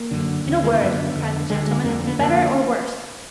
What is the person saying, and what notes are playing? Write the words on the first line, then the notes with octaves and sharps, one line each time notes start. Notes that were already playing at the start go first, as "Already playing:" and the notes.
'In a word!' cried the gentleman, 'Better or worse?'
Already playing: A#3
F#2 D3
D#2 D3
G#3
A#3
F#2 D3 B3
F2 D3
D2 D3 G#3
G#3
F2 D3 A#3
B3
F2 D3 A#3